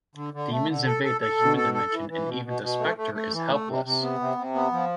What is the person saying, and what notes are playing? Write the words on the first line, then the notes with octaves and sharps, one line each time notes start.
Demons invade the human dimension and even the Spectre is helpless.
D3
D3
A3
D3
A4
A4
A4
B2
A4
A4
E3
E3
B2
B2
B2
A3
A3
A3
E3
A3
C3
C3
B3
C3
C3
B3
F3